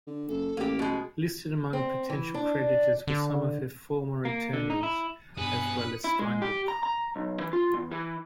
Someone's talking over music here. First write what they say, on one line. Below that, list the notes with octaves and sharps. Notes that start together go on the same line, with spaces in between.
Listed among potential creditors were some of her former attorneys, as well as Steinbuch.
D3
F#1 A4
A1 A#3 G4
B2 G#3 F#4
C4
E3
D4
D3
A#3
D3
D#4
E4
G2 B2 G#4 B4 D#6 C#7
E4
G#3
G4
A#5
A#5
B1
E3
F4
E2
E3